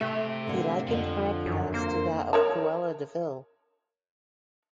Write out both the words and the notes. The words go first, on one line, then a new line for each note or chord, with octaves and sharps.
He likened her appearance to that of Cruella de Vil.
C3 A3 G4 E5
D3 A#3 C4
F2 D3 F3
F#2
A#3 C5
A#4 C#5 A5